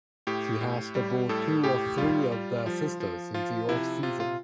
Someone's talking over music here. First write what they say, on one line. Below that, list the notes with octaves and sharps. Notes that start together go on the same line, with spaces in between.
She has to board two or three of her sisters in the off season.
A2 G4
A2
G3
A2 A4
A2 G4
G3 F4
G3
F3
F3
F3 F4
C3 E4
C3 F4
F4